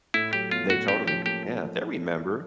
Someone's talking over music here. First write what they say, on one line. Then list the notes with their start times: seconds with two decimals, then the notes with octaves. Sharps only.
They totally Yeah, they remember.
0.14 A2 E4
0.33 F#3 G4
0.51 B3 F4
0.70 A2 F#4
0.88 C#4 G4
1.07 F3 G4
1.26 A#3 G4